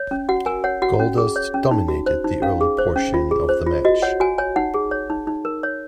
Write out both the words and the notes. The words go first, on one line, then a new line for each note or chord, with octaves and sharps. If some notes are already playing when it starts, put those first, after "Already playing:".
Goldust dominated the early portion of the match.
Already playing: C#5
C#4
F#4 F#5
A#4 G#5
C#5 F#5
F#4 F#5
C#4
G#4
C#5
C#4
D#4
F#4
C5
D#4
C#4 F5
G#4
C5
C#4
F4
G#4
C5
F4
F#4 D#5
C#5 F#5
F#4 G#5
C#5 G#5
D#4 F#5
G#4
C#5
D#4
D#4
A#4
C#5